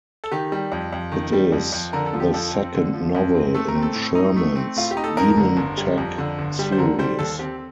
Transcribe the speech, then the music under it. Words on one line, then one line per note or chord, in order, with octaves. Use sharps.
It is the second novel in Sherman's DemonTech series.
A4
D#3 G4
G3
F2
F2
D#3
G3
F2
F2
D3 A#4
A4
F3
G4
F2 A4
C4
D3
F3
F2
C4
A3 A4
A#4
C4
A4
A2
D#4
A3
C4
A2 F4
G4
D#4
A4
F2 A#4
D3
G1
G3
F2
D3
G1
G3
C5
D3 A#4
G3 C5
D#2 A4
C4 G4